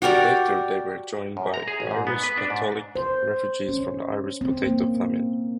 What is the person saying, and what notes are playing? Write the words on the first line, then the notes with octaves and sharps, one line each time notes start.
Later they were joined by Irish Catholic refugees from the Irish Potato Famine.
F#4 G4 A#4 D5
F#2
A#5
G#4
A1
G#2
B3
B4
D4
G#2
C5
C#4
C4
A#3